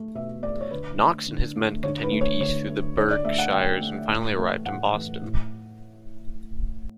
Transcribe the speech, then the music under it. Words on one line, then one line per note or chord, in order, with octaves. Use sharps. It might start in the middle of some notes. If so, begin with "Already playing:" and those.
Knox and his men continued east through the Berkshires and finally arrived in Boston.
Already playing: A3
B2 E5
A3 D5
C#5
D3 B4
A3
D3
A3
D3 C#5
B4
A3
C#5
D3 C#5
A3
D3 C#5
D5
A3 E5
F#5
D3 G5
A3
A2
E3 A3
A2 F#5
E3 A3
A2